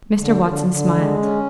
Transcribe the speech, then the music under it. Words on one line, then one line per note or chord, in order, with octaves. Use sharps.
Mr. Watson smiled.
D3
D3
D3
G#3
C#4